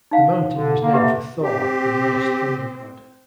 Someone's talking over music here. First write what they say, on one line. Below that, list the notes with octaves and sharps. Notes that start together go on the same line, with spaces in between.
The mountain was named for Thor, the Norse thunder god.
D#4 F5 F#5
D3
D3 A#3
G4 B4 E5
C4 G4